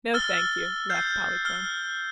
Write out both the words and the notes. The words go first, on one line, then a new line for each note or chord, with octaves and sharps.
"No, thank you," laughed Polychrome.
E6 F6 A6 G7
F6 G6 C7
F6 G7